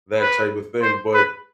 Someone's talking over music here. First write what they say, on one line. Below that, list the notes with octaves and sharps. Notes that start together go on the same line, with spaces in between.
that type of thing, but,
B4
C5
B4